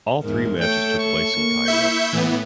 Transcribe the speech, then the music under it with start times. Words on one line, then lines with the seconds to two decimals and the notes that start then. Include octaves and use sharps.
All three matches took place in Cairo.
0.22 E2 G#2 A#4
0.61 A3 A4 C#5 G5
0.99 C#6
1.35 A#3
1.66 E4 E5 G6
2.13 A2 E3 B3